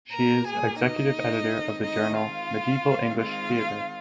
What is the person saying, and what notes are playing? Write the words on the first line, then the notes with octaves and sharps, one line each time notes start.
She is Executive Editor of the journal "Medieval English Theatre".
A#2 A#3 A#4 A#5
G#4 G#5
D#4 D#5
D#3 G#3 C4
D#4 D#5
F4 F5
D#3 G#3 C4
F4 F5